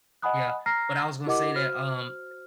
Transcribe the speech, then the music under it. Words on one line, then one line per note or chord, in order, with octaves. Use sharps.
yeah. But I was gonna say that, um,
D#5 F#5 G#5 B5 D#6 F#6
A#5 F6 A#6 C7
E4 G4 A#4 D#5 F#5 D6
F#4 C5 F6